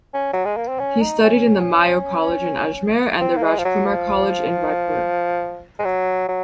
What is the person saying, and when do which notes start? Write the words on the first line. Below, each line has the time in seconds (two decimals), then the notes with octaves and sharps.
He studied in the Mayo College in Ajmer and the Rajkumar College in Raipur.
0.14 C#4
0.33 F#3
0.45 G#3
0.57 A#3
0.68 C4
0.80 C#4
1.01 D#4
1.23 C#4
3.21 C4
3.37 A#3
3.43 G#3
3.59 F3
3.65 F#3
3.87 F3
5.79 G#3
5.85 F#3
6.29 F#3